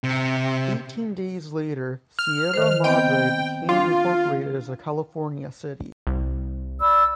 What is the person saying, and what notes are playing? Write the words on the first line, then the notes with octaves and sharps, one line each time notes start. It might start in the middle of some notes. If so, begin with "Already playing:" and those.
Eighteen days later, Sierra Madre became incorporated as a California city.
C3
F6
D#3 A#4 C5
B3 C4 D#5 G5
D4 F4
C2
D5 B5 E6